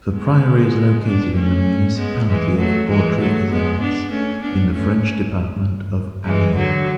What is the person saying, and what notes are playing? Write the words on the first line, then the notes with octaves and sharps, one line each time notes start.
The priory is located in the municipality of Autry-Issards, in the french department of Allier.
G#3 B3
B3 D4
A3 C#4
G#3 B3
E3 G#3
F#3 A3
E3 G#3
F#3 A3
G#3 B3
B3 D4
A3 C#4
B3 D4
A3 C#4
E3 G#3
D3 F#3